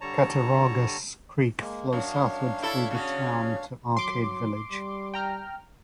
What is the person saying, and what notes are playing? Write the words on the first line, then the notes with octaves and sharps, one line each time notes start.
Cattaraugus Creek flows southward through the town to Arcade village.
D3 G3 C#5 A5 A#5
G#3 A#3
F#2 D4 C#5 F5
E4 A4
C#3 C#4 F#4
F#3 C6 D6
G3
G5 A#5 F6